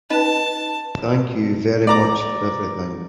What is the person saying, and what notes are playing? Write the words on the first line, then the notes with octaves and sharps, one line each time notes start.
Thank you very much for everything.
C#4 D#4 B4 D#5 A5
D5 A#5 D6